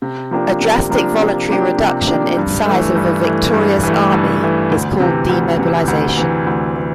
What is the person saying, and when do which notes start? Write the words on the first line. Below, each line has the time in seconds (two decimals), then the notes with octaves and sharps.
A drastic voluntary reduction in size of a victorious army is called demobilization.
0.02 C3
0.31 F3 A#3 D4 G4
0.61 C3
0.90 F3 A#3 D4 G4
1.19 C3
1.49 F3 A#3 D4 G4
1.78 C3
2.07 F3 A#3 D4 G4
2.37 G2
2.66 E3 A3
2.95 G2
3.24 E3 A3
3.54 G2
3.83 E3 A3
4.12 G2
4.42 E3 A3
4.71 D2
5.00 C3 E3
5.29 D2
5.59 C3 E3
5.88 D2
6.18 C3 E3
6.46 D2
6.76 E3